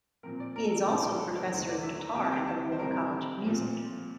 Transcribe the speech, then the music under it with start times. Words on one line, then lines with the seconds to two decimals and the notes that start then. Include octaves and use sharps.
He is also Professor of guitar at the Royal College of Music.
0.23 A#2 F3 C4 A#4
0.40 D5
0.56 A#4
0.65 A4
0.72 A#4
0.88 C2 A#2 F3
1.03 A#4
1.19 A4
1.35 A#4
1.51 E2 D3 A3 C5
1.68 D5
1.83 E5
1.99 A#5
2.15 D2 C3 G3 C4 G5
2.24 A5
2.32 G5
2.47 A5
2.72 C5
2.79 A2 G3 C4 A#4
3.43 A#2 F3 C4